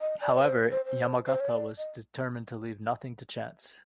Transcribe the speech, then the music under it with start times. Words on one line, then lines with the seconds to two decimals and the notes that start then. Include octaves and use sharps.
However, Yamagata was determined to leave nothing to chance.
0.01 D#5
0.21 D5
0.38 B4
0.43 C5
0.71 C5
0.86 C5
1.27 C5
1.40 C#5
1.49 D5
1.78 D#5